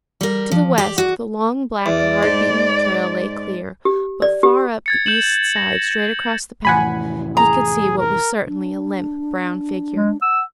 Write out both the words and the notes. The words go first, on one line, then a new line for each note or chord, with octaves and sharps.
To the west, the long, black, hard-beaten trail lay clear; but far up the east side, straight across the path, he could see what was certainly a limp, brown figure.
G3 A#4
F3
G4 D5
F#4
E2 D5
G#2
G4
D5
G4
G#6 A6 C#7
G6 E7 F#7
A#6
F1 A2 E3 F#5 G#5 B5
G#4 A#5
A#4
D4
G#3
F#5 E6